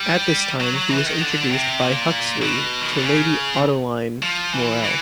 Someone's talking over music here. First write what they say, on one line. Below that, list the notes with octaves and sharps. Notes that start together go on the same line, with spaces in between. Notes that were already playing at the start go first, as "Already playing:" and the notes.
At this time he was introduced by Huxley to Lady Ottoline Morrell.
Already playing: G3
F#3
F#3
E3
D#3
D3
C3
A#2
B2
D#3
D3
C#3
F3
E3
E3